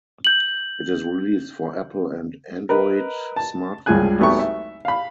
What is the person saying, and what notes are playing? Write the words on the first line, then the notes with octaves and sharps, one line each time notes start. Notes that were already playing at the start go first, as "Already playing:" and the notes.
It is released for Apple and Android smartphones.
G6 F#7
A#4 B4 D#5
A5
C#2 G2 F3 G#4 G#5 F#6
G#1 F#3 A3 B3 G4 C#6
E5
F5 B5